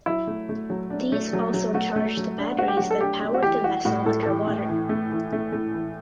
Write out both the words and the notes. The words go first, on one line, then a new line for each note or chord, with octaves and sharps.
These also charged the batteries that powered the vessel underwater.
F#3 E4
A3
A3
F#3
D4
A3
F#3
F#3
A3 F#4
A3
F#3
D4
D4 F#4
G4
F#3 F#4
A4
D4 G4
A3
F#4
E3 G4
E3 F#4
A2 F#4
A2 A4
A4
E3 G4
A2
E3
A3
E3
A3
A3
E3